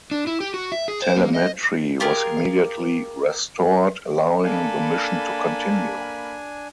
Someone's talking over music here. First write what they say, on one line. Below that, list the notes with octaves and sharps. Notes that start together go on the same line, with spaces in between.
Telemetry was immediately restored, allowing the mission to continue.
D4
E4
G4
F#4
E5
G#4
C5
A#3
D#5
F4 G4 G#4 A#4
A#3 D4 A4 G#5 B5